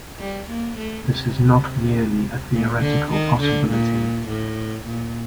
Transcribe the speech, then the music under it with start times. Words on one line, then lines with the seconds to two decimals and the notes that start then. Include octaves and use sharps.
This is not merely a theoretical possibility.
0.19 G3
0.49 A#3
0.78 A3
1.07 C3
2.53 A#2
2.82 D3
3.12 D#3
3.40 D3
3.70 A#2
4.28 A2
4.87 A#2